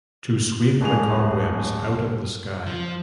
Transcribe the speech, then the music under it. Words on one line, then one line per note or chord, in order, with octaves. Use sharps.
To sweep the cobwebs out of the sky.
D1 G#2 G#4 F7
F3